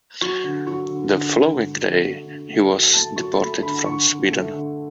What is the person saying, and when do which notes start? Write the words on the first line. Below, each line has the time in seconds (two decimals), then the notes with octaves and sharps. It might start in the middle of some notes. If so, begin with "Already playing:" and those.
The following day, he was deported from Sweden.
0.22 F#3 C#6
0.44 D3
0.67 F#3 C#6
0.90 D3
1.12 D3
1.36 D3
1.58 D3
1.81 D3
2.04 A3
2.26 D3
2.49 A3
2.71 F#3
2.94 A3 A5
3.16 F#3 C#6
3.39 A3 B5
3.62 D3 B5
3.84 D3 C#6
4.07 D3
4.31 A3
4.54 D3